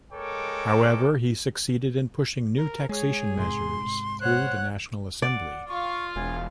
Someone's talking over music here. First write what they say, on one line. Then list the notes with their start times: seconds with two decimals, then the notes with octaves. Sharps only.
However, he succeeded in pushing new taxation measures through the National Assembly.
0.12 G#3 A4 A#4 C#5 G5 D6
2.58 A#4
2.89 G#3 G#4 C#5
3.38 G#2 C3 G#3 C6
4.21 C5 C#5 F#5 F#6
5.22 D5 F#5
5.68 F4 F5 C#6
6.16 E1 G#5